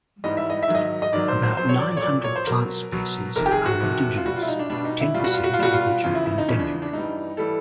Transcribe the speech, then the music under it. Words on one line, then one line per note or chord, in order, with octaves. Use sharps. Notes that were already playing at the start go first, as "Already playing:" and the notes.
About nine hundred plant species are indigenous, ten percent of which are endemic.
G#2 E3 G3 D#5
E5
D#5
E5
G#2 D#3 F#3
D#5
D#5
G#2 D#3 F#3 D5
C5
C5
A#2 F#3 C5
C#5
D5
D5
C#5
A#2 F#3 D5
C#5
C5
B2 F#3 A#4
B2 F#3
F2 C3 D#3 A#4
G4
G#4
F#4
F2 C3 D#3
F4
B2 G3 F#4
F4
E4
D#4
D4
B2 G3 D4
D#4
E4
B2 G3 F4
F#4
F4
F#4
F4
B2 G3 F#4
F4
E2 C#3 F3 F4
E4
E4
D#4
E2 C#3 F3 C#4
D4
D4
G2 E3 G3 D#4
E3 G3 A4